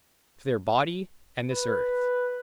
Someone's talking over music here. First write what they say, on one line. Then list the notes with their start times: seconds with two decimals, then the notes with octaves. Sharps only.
To their body and this earth.
1.50 B4